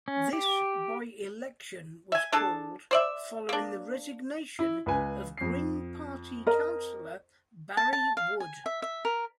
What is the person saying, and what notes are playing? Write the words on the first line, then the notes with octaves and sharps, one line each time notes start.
This by-election was called following the resignation of Green Party councillor Barrie Wood.
C#4
G4
E5 G#5
D4 G#4 A4 A5
C5 D5 E5
A#3 D4
E4
C#2 B4 G#5
F2 C7
A#4 D#5
A5
A5
F5
G#5
E5
E5
A#4